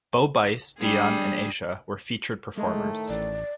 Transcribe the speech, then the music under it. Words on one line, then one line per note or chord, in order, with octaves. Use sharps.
Bo Bice, Dion, and Asia were featured performers.
G3 D4 G#4
A2 D#3 G#3 A3
A1 D5